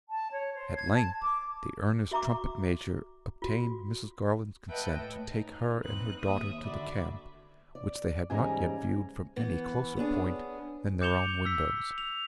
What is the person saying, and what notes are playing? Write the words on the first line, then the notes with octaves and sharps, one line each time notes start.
At length the earnest trumpet-major obtained Mrs. Garland's consent to take her and her daughter to the camp, which they had not yet viewed from any closer point than their own windows.
A5
C#5
C5
G#6
A5
D6
F#4 E5 A#5 C#6 D6
F4 F#4
B4 D#5 E5 F#5 G5 A5
A2
D#4
E2 C4 D#4 B4 F#6
D#2 E5 D#6
D3 F#4 D5 E5 B5
D5
E2 G#2 C#3 G3 G#5 A#5
E3 B3
B3 C#4 D4 G#4
D6 G6 C#7 E7 F7 G7
E6 B6
F7